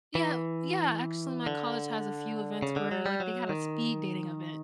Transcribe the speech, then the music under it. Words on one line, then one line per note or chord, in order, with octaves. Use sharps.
Yeah yeah, actually my college has a few events where, like, they had a speed dating event
E3
D3
C#3
D3
F#3
G3
F#3
D#3